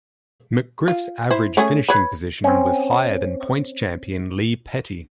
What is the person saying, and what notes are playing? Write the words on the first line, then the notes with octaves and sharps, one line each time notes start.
McGriff's average finishing position was higher than points champion Lee Petty.
F4
E4 C5
A3 C#4 G#4
B4 C#5 B5
C4 C#4